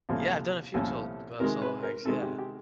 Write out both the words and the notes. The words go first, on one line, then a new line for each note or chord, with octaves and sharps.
Yeah, I've done a few tol uh, solo hikes, yeah.
C2 A#2 F3 A3 C#4
C2 A#2 F3 A3 C#4 A4
C3 D#3 G#3 A#4
B4
A#4
C3 D#3 G#3 A4
G4
G4